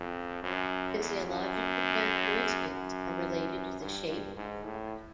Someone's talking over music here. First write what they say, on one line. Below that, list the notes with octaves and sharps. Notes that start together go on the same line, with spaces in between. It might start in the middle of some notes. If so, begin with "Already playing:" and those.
Physiological characteristics are related to the shape of the body.
Already playing: F2
F#2
E2
F#2
F#2
G2
G2
G#2
A2